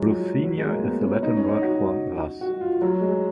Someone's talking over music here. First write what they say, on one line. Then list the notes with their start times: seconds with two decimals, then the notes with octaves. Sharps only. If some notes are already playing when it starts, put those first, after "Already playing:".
Ruthenia is the Latin word for Rus'.
Already playing: F3 F#3 G#3
0.44 F#3
0.57 G#3
0.70 A#3
0.84 B3
1.03 C#4
1.23 D#4
1.37 C#4
1.49 D#4
1.62 F#4
2.41 F#4
2.61 F4
2.82 F#3
3.01 G#3